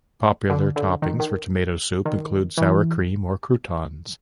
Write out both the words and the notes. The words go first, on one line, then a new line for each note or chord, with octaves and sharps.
Popular toppings for tomato soup include sour cream or croutons.
D3
D3
D#3
D#3
D#3
E3